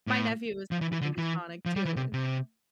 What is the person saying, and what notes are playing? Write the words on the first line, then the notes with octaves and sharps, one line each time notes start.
My nephew is heavy into Sonic too.
A2
F3
E3
E3
D3
E3
F3
G3
E3
C3
C3